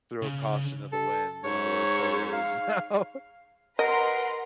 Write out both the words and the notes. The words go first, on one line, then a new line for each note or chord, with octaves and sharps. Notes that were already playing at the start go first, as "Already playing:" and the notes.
throw caution to the wind and I wear polos now.
C#3
A4
G#2 C#5
F5
A#4 B4 D#5 F#5 A#5 C6